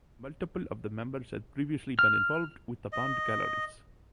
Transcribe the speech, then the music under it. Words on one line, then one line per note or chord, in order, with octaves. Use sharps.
Multiple of the members had previously been involved with the band Galleries.
F6
D#5